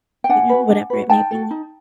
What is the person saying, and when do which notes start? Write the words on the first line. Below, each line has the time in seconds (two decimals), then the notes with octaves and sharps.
you know, whatever it may be.
0.24 G5
0.29 D4 F#5 G#5
0.49 F#4 B4
0.70 D4
0.90 F#4 B4
1.10 D#4 G5 A5
1.31 F#4 A4
1.51 D#4